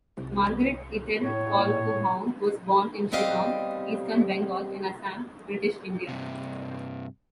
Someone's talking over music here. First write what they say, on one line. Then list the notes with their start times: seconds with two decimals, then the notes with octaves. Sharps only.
Margaret Ithell Colquhoun was born in Shillong, Eastern Bengal and Assam, British India.
0.18 C2
1.21 A2 C#5
1.59 A#2
3.12 G3 B3 C4 G4 D#5 F5
6.09 G2 C3